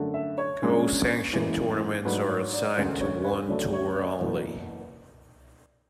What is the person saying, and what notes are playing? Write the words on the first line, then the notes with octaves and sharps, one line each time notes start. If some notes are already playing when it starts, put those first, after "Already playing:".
Co-sanctioned tournaments are assigned to one tour only.
Already playing: F#2 D3 A3
E5
C#5
F#2 C#3 G#3 D4
F#1 F#2 E3 G#3
G#2 F#3 A3 D4 B4
C#5
D5
E1 D2 D3 G#3 C#4 C#5
C#5
B4
D2 C#3 F#3 A3 C#4 D5
C#5
D5
F#1 E2 B2